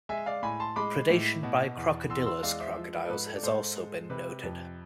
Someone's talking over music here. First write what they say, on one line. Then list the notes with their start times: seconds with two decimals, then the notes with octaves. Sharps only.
Predation by "Crocodylus" crocodiles has also been noted.
0.09 G#3 E5 G#5
0.26 D5 F5
0.43 A2 G#5 B5
0.60 A5 C6
0.76 G#3 B5 D6
1.10 A2
1.43 B2
1.77 E2
2.09 E2 C6 E6
2.26 C6 E6
2.43 G#3 D5 F5
2.60 C5 E5
2.77 F3
2.93 B4
3.05 A4
3.10 G#2 B4
3.27 A4
3.36 D5
3.43 G#2 A4 C5
3.76 G#3
4.10 C3 B4
4.43 F2